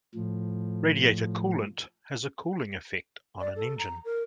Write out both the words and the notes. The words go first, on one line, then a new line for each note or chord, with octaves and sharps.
Radiator coolant has a cooling effect on an Engine.
A2 F3
D5
A4
A#5
A#4